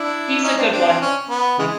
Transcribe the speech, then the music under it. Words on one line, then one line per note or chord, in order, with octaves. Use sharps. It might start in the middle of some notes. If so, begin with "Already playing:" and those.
He's a good one.
Already playing: D4 E4
C#4 D#4
C4 D4
C4 D4
C#4
B3
C#3 E3 G#3